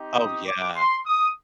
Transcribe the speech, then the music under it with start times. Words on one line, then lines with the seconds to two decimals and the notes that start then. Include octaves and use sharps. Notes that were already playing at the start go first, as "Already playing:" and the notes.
Oh, yeah.
Already playing: C4 D#4 G4
0.18 D#6
0.46 D6
0.76 C6
1.06 D#6